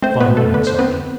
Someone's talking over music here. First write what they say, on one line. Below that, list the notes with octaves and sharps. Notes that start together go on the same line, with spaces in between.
'Fine night, sergeant.'
A3 C4 C5
B3 B4
B2
A3 A4
D3 B4
C5
B3 C4 B4